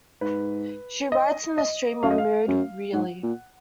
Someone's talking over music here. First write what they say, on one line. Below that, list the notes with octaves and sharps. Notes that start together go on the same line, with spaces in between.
She writes in a stream of mood really.
G#2 B4
D#5
D#5
F#2 F5
D#5
F5
F#2
G#2 F#5
A#2